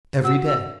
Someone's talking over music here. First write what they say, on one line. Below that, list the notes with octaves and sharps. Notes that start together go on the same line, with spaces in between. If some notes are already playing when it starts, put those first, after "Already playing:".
'Every day.
F#4 E6
E6